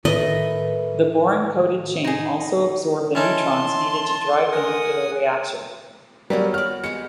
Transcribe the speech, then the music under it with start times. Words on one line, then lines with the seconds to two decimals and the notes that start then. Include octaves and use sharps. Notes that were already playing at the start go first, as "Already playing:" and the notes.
The boron-coated chain also absorbed the neutrons needed to drive the nuclear reaction.
0.05 A2 D#3 A3 A#4 B4 D#5 E5
2.04 D#4 G#4
3.15 E3 C#4 D#4 A5 C6
4.52 A#4 F#5 G#5 D#6
6.30 F#3 G3 A#3 B3 C#4 G4
6.54 F#4 D5 F6
6.83 G#3 B3 G4 C#7